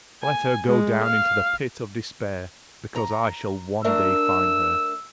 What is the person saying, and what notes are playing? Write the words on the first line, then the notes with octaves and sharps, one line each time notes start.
"Let her go down into the pit of despair, because I shall one day find her."
G#5
G#3
F5
A#5
A3 D4 A#4 E6